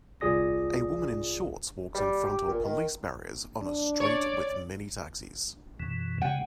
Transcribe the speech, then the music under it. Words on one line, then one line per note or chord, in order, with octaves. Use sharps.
A woman in shorts walks in front on police barriers on a street with many taxis.
C2 F4 G#4 D5 D#6 A#6
G3
G4
A#2
D#3
D4
C#5 D5
F#2 B2 E3
C#3 G#3 F#5 G5